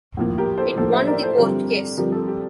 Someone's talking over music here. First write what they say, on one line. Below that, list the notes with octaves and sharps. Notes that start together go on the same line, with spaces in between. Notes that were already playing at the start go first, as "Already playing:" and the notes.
It won the court case.
A2 F3 A#3
G4 A#4
A4 C5
A2 F3 A#3 A4 C5
C5 E5
A#4 D5
A4 C5
G2 D3 F3 C4 G4 A#4
G2 D3 F3 C4 G4 A#4
A4
G4